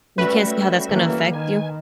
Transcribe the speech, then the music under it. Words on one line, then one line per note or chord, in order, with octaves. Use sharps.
you can't see how that's gonna affect you?
G3 A3 C#4 F#4 B4 E5
E3 A#3
D#3 G#5